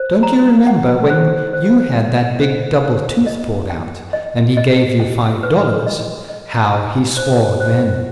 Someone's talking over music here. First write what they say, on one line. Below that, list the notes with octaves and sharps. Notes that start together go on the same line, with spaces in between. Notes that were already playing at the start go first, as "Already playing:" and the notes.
Don't you remember when you had that big double tooth pulled out, and he gave you five dollars, how he swore then?
Already playing: C5
A#5
F#5
C5
C5
F#5
C5
C5
D#5
G5
D#5
D#5
G5
B4
D#5
D#5
G#5
C5
C5